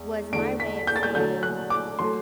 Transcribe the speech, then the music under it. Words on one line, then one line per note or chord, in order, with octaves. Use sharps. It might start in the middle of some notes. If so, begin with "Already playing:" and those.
was my way of saying,
Already playing: E2
E2 D3 A3 D4 D7
B6
G6
A6
G6
D3 F#3 A3 G6
F#6
D6
F#3 A3 C6